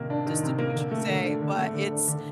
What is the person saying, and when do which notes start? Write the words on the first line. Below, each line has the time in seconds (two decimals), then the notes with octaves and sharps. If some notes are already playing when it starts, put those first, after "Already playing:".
just to do what you say, but, it's
Already playing: C3 D#3 A#3
0.10 D4
0.27 D#3
0.43 C3
0.58 A#3
0.75 D3
0.92 A3
1.09 D3
1.25 D4
1.42 D3
1.57 A3
1.74 D3
1.91 D4
2.08 D3